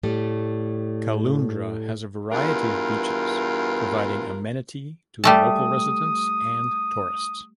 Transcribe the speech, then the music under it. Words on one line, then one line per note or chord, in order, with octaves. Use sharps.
Caloundra has a variety of beaches, providing amenity to the local residents and tourists.
A2 G3 A3
E2 G2 F4 A#4
G3 A3 A5 D#6